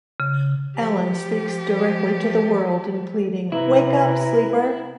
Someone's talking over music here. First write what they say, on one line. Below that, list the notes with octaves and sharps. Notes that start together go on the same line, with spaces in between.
Allan speaks directly to the world in pleading Wake up, sleeper!
C#3
F3 G4
C3 E4 B4 A#5